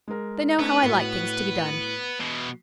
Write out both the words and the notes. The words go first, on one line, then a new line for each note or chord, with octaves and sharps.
They know how I like things to be done.
G#3 A#4
A3 B3 C4 D#4
A2 F#4
B2 E3